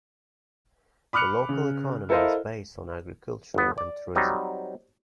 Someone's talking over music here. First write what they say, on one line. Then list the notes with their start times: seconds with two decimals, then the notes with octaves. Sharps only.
The local economy is based on agriculture and tourism.
1.13 B5 D6 F6 F#6 C#7 F7
1.49 C#3
2.09 E4 A4 A#4 C5 D#5 F5
3.54 G1 B3
3.78 D5
4.15 F#3 G3 C4 D#4